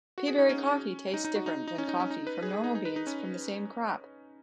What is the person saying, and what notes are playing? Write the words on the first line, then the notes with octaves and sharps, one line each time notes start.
Peaberry coffee tastes different than coffee from normal beans from the same crop.
F#4
G#4
D#4
C#4
D#4
D#4
F#4
D#4
D#4
C#4
D#4
C#4
D#4
B4
G#4
G#4
D#4
D#4
B4
D#4
C#4